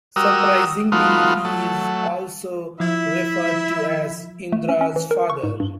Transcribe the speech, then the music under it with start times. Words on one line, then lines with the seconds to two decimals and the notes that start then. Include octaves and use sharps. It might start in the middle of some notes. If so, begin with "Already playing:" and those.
Surprisingly he is also referred to as Indra's father.
0.16 G3 F#4 A#4 D#6 E6
0.92 F3 A3 B3 D#4 F4 F#4
1.45 F#3 A3
2.80 F3 E4 E5
4.52 A3
4.69 C#4
4.81 C#4
4.96 E3
5.11 A#4
5.30 C#6
5.43 G#2
5.60 G2